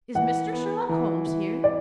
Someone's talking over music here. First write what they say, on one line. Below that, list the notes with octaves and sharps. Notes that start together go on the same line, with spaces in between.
"Is Mr. Sherlock Holmes here?"
E3 F#5
B3
E3
E3
D5